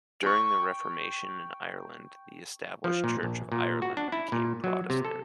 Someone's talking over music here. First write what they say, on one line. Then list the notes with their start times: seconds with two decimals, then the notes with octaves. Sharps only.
During the Reformation in Ireland, the established Church of Ireland became Protestant.
0.23 G5 C#6
2.84 F3
3.04 A#2
3.23 A#1
3.52 A#2
3.82 F#4
3.97 D4
4.12 E4
4.32 A#2
4.64 F#3
4.90 C3
5.05 A4